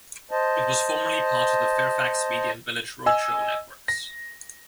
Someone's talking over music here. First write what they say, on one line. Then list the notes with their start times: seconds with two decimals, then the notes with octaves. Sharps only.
It was formerly part of the Fairfax Media and Village Roadshow networks.
0.31 C5 D#5 A5
3.06 D#5 G#5 E6
3.88 A#6